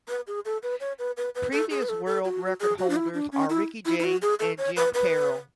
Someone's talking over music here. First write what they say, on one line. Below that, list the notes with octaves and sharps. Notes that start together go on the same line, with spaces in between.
Previous world record holders are Ricky Jay and Jim Karol.
B4
G#4
A4
B4
C#5
B4
B4
B4
A4
G#4
B4
A4
A4
F#4
G#4
F#4
D4
E4
D4
C#4
E4
E4
E4
F#4
G#4
A4
C#5
B4
B4